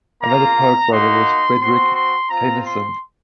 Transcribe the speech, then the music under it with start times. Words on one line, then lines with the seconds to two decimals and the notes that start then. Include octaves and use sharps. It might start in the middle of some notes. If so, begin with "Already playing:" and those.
Another poet brother was Frederick Tennyson.
0.22 A#3 F4 A#5
0.91 A#3 D#4 F#4 C6
1.61 C4 F#4 C6
1.95 C6
2.30 C4 F4 A#5
2.64 C6